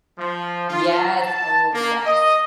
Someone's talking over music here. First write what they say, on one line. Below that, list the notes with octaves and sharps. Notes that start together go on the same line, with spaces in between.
Yes, oh, yes.
F3
F4
A5
A#3
D#5